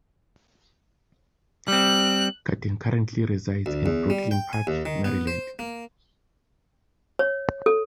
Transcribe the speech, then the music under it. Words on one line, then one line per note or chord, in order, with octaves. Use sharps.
Cadden Currently resides in Brooklyn Park, Maryland.
G3 C4 F#6
D2
E2
G3
G5
G#5
D#2
D#3
B3
C5
A#3
C#5
A4